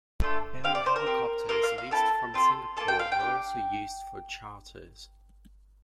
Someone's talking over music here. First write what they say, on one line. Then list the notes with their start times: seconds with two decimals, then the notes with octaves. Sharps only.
Bell Helicopters leased from Singapore were also used for charters.
0.22 A3 D4 F4 A4
0.64 C4 G4 F5
0.75 D5
0.86 C5
0.96 A#4
1.06 C4 G4
1.49 A#3 F4 A4 A#4
1.63 F5
1.78 F5
1.91 C4 E4 A4 A5
2.34 C4 F4 A4
2.77 A#3 F4 A4 A5
2.88 G5
2.99 F5
3.12 G5
3.20 D4 G4